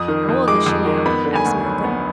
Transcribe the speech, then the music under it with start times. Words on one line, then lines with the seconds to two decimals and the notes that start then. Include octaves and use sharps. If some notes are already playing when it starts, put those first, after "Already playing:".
"How old is she now?" asked Malcolm.
Already playing: F2 D#6
0.08 D#3
0.29 F2
0.48 G#3 D6
0.66 F2
0.86 D#3
1.06 B3 B5
1.25 D3
1.35 G#5
1.45 D2
1.64 F#3
1.84 B3